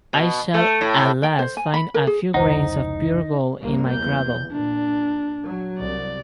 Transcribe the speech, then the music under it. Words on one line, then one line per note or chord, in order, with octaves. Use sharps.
I shall at last find a few grains of pure gold in my cradle.
B2
A3
A2
G5
C5
G#5
B5
A#4
G#4
F1 C#2 D#4 E4 C5 F#5
C2 G2 A#3
E2 G6
A#2 D4
F#3
C2 D5